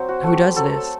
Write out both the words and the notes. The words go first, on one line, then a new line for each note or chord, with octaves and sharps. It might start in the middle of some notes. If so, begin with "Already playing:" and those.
Who does this?
Already playing: F#3 C4 C5
F#4
A3 F#4
G4
F#3 A4